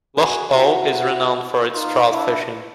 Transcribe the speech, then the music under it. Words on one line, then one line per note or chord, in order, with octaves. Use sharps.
Loch Awe is renowned for its trout fishing.
F#4 G#4
E4 F#4
D#4 F4
D4 E4